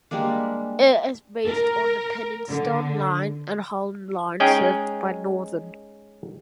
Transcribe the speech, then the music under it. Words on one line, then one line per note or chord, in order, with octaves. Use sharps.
It is based on the Penistone Line and Hallam Line served by Northern.
G3 G#3 A#3 D4
A#4
D3
G#3 C#4 D#4 G#4 G5